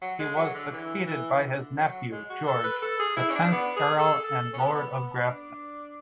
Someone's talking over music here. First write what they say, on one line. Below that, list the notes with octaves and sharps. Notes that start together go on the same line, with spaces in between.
He was succeeded by his nephew, George, the tenth Earl and Lord of Grafton.
F#3
G#3
F#3
D3
E3
E3
E3
D3
F#3
G#3
F#4
A4
B4
A4
G#4
E4
C#4
D4
B3
G#4
A4
A4
C#4
B3
B3
D4